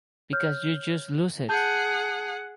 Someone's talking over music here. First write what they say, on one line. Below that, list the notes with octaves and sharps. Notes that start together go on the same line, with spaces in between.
Because you just lose it.
C#5 F6 G6
G#4 F#5 A5 G6